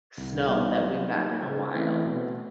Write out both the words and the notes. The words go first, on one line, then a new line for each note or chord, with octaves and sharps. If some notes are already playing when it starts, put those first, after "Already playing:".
snow that we've gotten in a while.
C2
B2 G3 B3 D#4
F#3
A#3 D#4
C#3
E3 A3 C4
B2